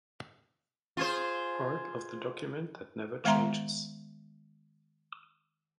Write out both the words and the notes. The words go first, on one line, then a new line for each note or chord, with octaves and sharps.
Part of the document that never changes.
F4 G#4 C5
D#3 G#3 B3 E5 A#5 C6